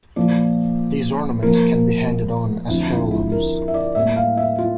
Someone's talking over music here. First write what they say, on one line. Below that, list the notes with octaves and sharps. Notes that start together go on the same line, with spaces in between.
These ornaments can be handed on as heirlooms.
A#2 F3 A#3 D5
A#2 F3 A#3 A#4
D2 D3 F3 C4 E4
F4
E4
A#4
E5
D5
A2 G3 A#3 E5
F5
E5
F4